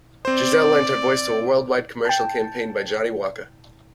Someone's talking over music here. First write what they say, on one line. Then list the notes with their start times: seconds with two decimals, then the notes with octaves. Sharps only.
Gisele lent her voice to a worldwide commercial campaign by Johnnie Walker.
0.25 C4 C5 D5
2.05 G5 A5